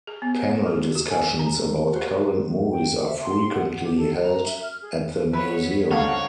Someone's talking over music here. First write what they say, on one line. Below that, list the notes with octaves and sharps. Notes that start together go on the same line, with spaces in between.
Panel discussions about current movies are frequently held at the museum.
G#4
B3
C#5
G#4
F#4
G#5
A#5
F#4 C5
G5
E5
C6
F#5
G4
A4
A#5
E5
F6
G#4
B3 E4 B4 C#5
G2 F3 C4 D#4 A4 C#5 F5 F#5